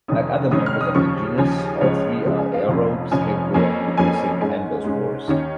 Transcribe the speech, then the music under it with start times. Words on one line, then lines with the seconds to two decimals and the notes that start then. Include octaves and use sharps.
Like other members of the genus, all three are aerobes capable of producing endospores.
0.08 F1 F2 D#3 C#4 D#6
0.51 F1 F2 D#3 C#4 D#6
0.66 F6
0.81 D#6
0.95 D#2 C#3 F3 C#4 C#6
1.38 D#2 C#3 F3 C#4 G#5
1.81 C#2 C#3 F3 G#3 C#5
2.25 C#2 C#3 F3 G#3
2.39 G#5
2.54 F5
2.68 F1 F2 F3 C#4 F5
3.11 F1 F2 F3 C#4 G#5
3.54 F2 F3 A#3 C#4 G#5
3.97 F2 F3 A#3 C#4 G#5
4.41 G#2 G#3 C#4 G#5
4.84 G#2 G#3 C#4
5.28 D#2 D#3 C#4